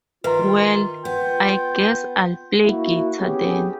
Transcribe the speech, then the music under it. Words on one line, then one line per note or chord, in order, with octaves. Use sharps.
Well I guess I'll play guitar then.
D#3 F4 B4 E5 A#5
B3 F4 G5
A#3 E4 F#4
B3 C#4 G4 G#4